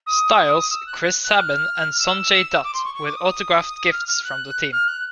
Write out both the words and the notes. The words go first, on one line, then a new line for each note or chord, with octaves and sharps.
Styles, Chris Sabin, and Sonjay Dutt with autographed gifts from the team.
D#6
E6
F#6
F#6
F#6
F6
E6
D6
C6
C#6
C#6
D6
D#6
F6
F6
F#6
F6
F#6